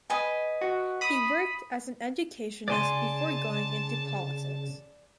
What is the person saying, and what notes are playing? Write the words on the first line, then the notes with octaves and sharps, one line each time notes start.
He worked as an educationist before going into politics.
B4 D#5 G#5
F#4
B5 D#6
C#3 D5 G#5 A5 C6